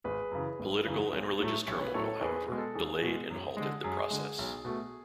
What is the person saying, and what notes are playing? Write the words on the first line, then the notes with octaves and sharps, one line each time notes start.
Political and religious turmoil, however, delayed and halted the process.
G#1 G#4 B4
F#2 C#3 E3
G#1
F#2 C#3 E3
B1
A2 F#3 A3
B1 C#5
B4
A2 F#3 A3 A4 C#5
E2 G#4 B4
B2 G#3
A4
E2 G#4
B2 G#3
F#2
D3 G#3
F#2 G#4
D3 G#3
B1
B2 A3